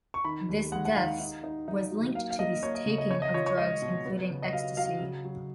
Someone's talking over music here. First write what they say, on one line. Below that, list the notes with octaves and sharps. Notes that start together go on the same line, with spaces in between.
This deaths was linked to the taking of drugs including ecstasy.
C#6
D#3 B5
D#2
G#3 F#5
F#5
D#4 F5
D#4
D#4
D#4
F#3
A#3 F5
F5
A#3 D#5
A#3 C#5
D#5
C#3
D#5
C#4 C#5
D#5
F4 C#5
C#5
G#3 D#5
B2
B3
C#3
D#5
F#3 F5
F#3 F5
C#3
F#3